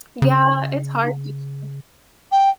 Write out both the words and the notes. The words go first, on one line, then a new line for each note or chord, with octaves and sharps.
Yeah, it's hard each year
C#3
G5